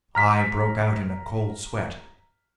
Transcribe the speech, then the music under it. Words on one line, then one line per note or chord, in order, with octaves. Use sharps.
I broke out in a cold sweat.
A#5 F6 B6